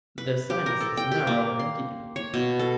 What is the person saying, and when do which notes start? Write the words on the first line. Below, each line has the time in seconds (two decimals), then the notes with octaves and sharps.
The sinus is narrow and deep.
0.18 B4
0.50 G4
0.66 A#4
0.81 A4
0.97 G5
1.12 G4
1.27 A#3
1.59 C6
2.16 C#5
2.34 B2
2.59 A4